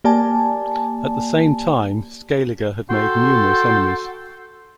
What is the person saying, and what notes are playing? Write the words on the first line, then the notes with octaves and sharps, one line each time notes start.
At the same time, Scaliger had made numerous enemies.
A#3 G4 D5 G#5 A5
F#4 A4 G5 C6